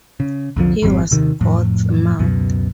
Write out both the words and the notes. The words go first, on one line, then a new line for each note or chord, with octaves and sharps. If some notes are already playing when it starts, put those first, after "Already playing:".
He was God's "mouth".
C#3
C2 F2 D3 F3
G#1 F2 G3 C4
D#2 C3 D#3
F2 A2
C#2 F#2 B2